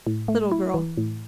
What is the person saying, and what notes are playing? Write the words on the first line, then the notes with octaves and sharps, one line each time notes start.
Little girl.
A2
A3
E4
E3
A2